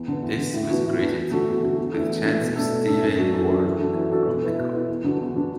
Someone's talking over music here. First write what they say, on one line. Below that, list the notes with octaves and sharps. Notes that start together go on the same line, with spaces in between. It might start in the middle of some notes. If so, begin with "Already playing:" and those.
This was greeted with chants of 'Stephen Warnock' from the Kop.
Already playing: E2
D3 B3
E2
D3 B3
A2
E3 B3 D4 F#4
A2
E3 B3 D4 F#4
E2
D3 A3 F#4 A4
E2
D3 A3 F#4 A4
E2
E3 A3 D4 A4
E2
E3 A3 D4 A4
B2
A3 D4 A4
B2
A3 D4 A4
F#2
F#3 D4 F#4 A4
F#2
F#3 D4 F#4 A4
E3
D4 F#4 A4
E3
D4 F#4 A4
B2
B3 E4
B2
B3 E4
E2
D3 B3 D4 F#4
E2
D3 B3 D4 F#4